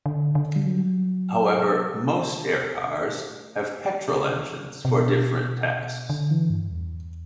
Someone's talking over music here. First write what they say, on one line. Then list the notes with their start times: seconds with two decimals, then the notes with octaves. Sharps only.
However, most air cars have petrol engines for different tasks.
0.06 D3
0.35 D3
0.56 G3
0.66 F#3
1.87 G3
3.07 A3
4.29 G3
4.49 F#3
4.69 C3
4.85 C3
4.89 B2
6.10 D3
6.31 E3
6.50 G2
6.71 E2